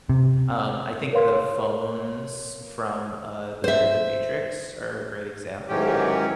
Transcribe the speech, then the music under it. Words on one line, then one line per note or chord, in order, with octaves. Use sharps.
um, I think the phones from, uh, the movie The Matrix are a great example.
C3
A#4 B4 C#5 F5 C6
C5 E5
G#2 D#3 E3 F#3 C#4 G4